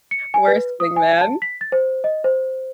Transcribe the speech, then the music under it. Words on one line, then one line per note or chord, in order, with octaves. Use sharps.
worst wingman,
C#7
G#5
B4
D#6
G#5
A5
B6
A6
C5
D#5
C5